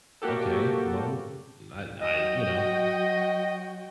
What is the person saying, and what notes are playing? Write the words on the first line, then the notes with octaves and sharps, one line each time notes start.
"Okay, well, n I I" you know,
A#3 F#4 G4 A4
F#3 F#4 D#5 G5